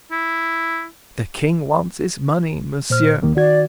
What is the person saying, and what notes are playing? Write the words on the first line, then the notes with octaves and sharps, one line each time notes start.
"The king wants his money, monsieur."
E4
A#2 C5 F6
D#2 D#3 A#3
D#3 F#4 D5 G#6